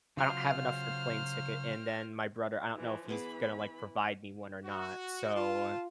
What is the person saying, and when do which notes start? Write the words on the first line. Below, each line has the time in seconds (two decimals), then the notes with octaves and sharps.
I don't have enough for a plane ticket, and then my brother I don't know if he's gonna, like, provide me one or not. So
0.17 C#3 F#3 F4 C5 F6
2.76 E3 F3
3.09 E3 B3 G#4 B5 D6
4.64 F#4
5.36 F4 A4 F5 A5